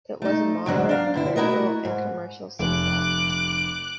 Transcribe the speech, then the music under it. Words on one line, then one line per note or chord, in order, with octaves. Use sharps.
It was a moderate critical and commercial success.
A3 D#4
D2 G#2 F#3 D4
D4 F5
G2 D3 E4
A3 E4 F#4 A#4 D#5
G#2
F1 D6 F#6